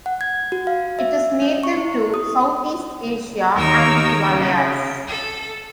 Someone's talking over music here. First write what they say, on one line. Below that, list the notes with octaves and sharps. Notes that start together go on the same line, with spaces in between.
It is native to Southeast Asia and the Himalayas.
F#5
G#6
F#4
F5
E5
C#4
C#6
E4
D#6
D#2 D#4 A#4 C#5 E6
C#3
A4